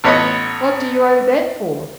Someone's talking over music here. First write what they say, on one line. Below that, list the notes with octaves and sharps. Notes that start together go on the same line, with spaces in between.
"What do you owe that for?"
A1 B3 C#5 D#5